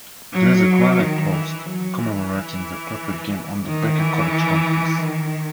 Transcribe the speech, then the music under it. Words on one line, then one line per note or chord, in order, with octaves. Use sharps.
There is a granite post commemorating the perfect game on the Becker College campus.
F#3
D#3
E3
F#3
E3
D#3
E3
D#3